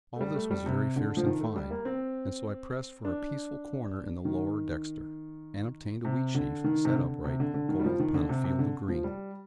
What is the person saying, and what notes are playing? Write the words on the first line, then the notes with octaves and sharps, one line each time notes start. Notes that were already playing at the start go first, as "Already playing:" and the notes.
All this was very fierce and fine; and so I pressed for a peaceful corner in the lower dexter, and obtained a wheat-sheaf set upright, gold upon a field of green.
A3
G3
A3
G3
C3
D3
F3
D#3
A3
G3
A#3
C4
D4
D#3
C3
D3
D#3
C3
D3
C3
D3
D3
D#3
G3
F3
D#3
D3
C3
C3
D3
F3
G3